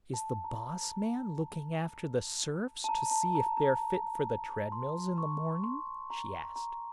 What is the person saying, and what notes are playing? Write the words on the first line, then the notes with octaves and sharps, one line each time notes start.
"Is the boss-man looking after the serfs, to see if they're fit for the treadmills in the morning?" she asked.
A5
A#5
A5
A#5
A5
A#5
A#5
C6
C#6
C6
A#5
A#5